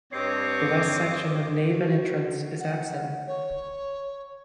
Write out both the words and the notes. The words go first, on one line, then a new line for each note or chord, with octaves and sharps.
The west section of nave and entrance is absent.
G2 C4 C#5 D#5 D6 C7
F#4
F#5
C#5